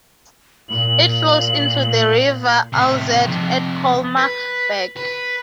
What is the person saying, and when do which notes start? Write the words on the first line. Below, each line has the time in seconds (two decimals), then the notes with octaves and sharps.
It flows into the river Alzette at Colmar-Berg.
0.69 A#2 F#7
2.73 A2 C3
3.27 F2 C3
4.18 B4
4.97 B4